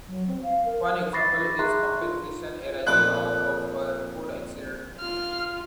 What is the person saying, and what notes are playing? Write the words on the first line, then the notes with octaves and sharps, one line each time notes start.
One example is compensation arising out of a road accident.
F#3
C4
F5
A#4
B5 C#6 D6 A6 A#6 C7
G#4 E5 A#5 C6 C#6 F#6
F4
F2 A#2 D6 F#6
F4 F6